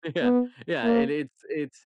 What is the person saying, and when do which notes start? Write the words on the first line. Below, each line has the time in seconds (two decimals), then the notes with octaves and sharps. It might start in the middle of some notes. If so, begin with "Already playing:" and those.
Ye yeah, yeah, and it's it's
0.22 B3
0.84 A#3